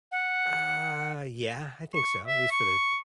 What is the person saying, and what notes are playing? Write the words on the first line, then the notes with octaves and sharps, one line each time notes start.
Uh, yeah, I think so, at least for the
F#5
C#6
E5
C#6